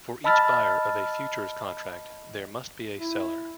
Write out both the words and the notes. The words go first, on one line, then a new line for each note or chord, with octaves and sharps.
For each buyer of a futures contract there must be a seller.
D#5 A5 B5 E6 F6 A6
E4